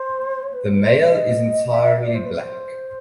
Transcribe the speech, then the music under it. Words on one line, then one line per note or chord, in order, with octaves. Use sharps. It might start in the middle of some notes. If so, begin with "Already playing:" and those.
The male is entirely black.
Already playing: C5
C#5
B4
C5
B4
C5
C#5
D#5
E5
E5
D5
C5
B4
C5